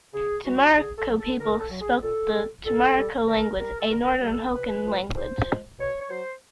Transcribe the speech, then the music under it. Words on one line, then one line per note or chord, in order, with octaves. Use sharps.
Chimariko people spoke the Chimariko language, a Northern Hokan language.
C#3 G#4
E3 G3 F#4
D3 G#4
A4
F#3
A4
D3 A#4
A4
F#3
G#4
A#2 A4
G3
A#2 A4
G3
D3 A#4
G3 A#4
A4
D3 A#4
G3 A4
C3 B4
F3 G#3
C3 C5
F3 G#3
B2 C#5
C#5
F#3 C5